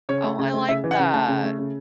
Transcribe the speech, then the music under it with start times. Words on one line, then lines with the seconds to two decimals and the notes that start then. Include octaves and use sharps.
Oh, I like that.
0.09 C#3 C#5
0.24 A3
0.39 C#3
0.54 A3
0.69 C#3 E5
0.84 E3
0.91 F#5
0.99 C#3
1.14 A3 A5
1.28 C#3
1.43 A3
1.59 C#3